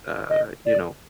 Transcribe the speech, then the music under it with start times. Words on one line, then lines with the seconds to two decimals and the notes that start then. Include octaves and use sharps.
uh, you know,
0.30 D#5
0.66 D5